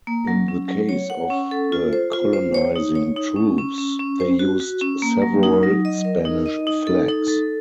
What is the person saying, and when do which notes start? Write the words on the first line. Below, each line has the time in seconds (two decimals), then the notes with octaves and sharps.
In the case of the colonizing troops, they used several Spanish flags.
0.07 A#3
0.27 F#3
0.48 C#4
0.68 F#3
0.89 C#5
1.10 F#5
1.30 C#4
1.51 A4
1.72 F4
1.93 C5
2.13 F4
2.33 C5
2.54 C#5
2.76 D#4
2.95 C#5
3.16 D#4
3.36 C#4
3.58 C#4
3.78 C#4
3.99 C#4
4.20 C5
4.39 F#4
4.60 F#4
4.81 C#4
5.02 A#3
5.22 F#3
5.43 D#4
5.63 F#3
5.85 D#5
6.05 A#4
6.25 D#4
6.46 D#5
6.67 D#4
6.87 A4
7.09 D#4
7.28 A4